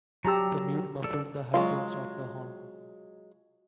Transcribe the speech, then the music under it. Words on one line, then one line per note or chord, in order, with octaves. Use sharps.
The mute muffled the high tones of the horn.
F#3 G4 A5 A#5 E6
A4 D5
F#3 G#3 F4